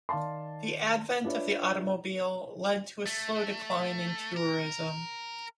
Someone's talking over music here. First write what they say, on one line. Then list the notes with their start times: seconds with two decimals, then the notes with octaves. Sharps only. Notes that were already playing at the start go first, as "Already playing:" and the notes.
The advent of the automobile led to a slow decline in tourism.
0.09 D#3 D5 F5 A5 C6
1.24 D4 F4 B4 C#5 E5
3.06 A3
4.37 A#4